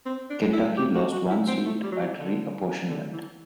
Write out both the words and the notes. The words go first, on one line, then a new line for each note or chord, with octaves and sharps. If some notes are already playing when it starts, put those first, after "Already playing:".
Kentucky lost one seat at reapportionment.
C4
D4
E4
G4
F#4
F#4
E4
C4
A3
G3
F#3
E3
D3
D3
E3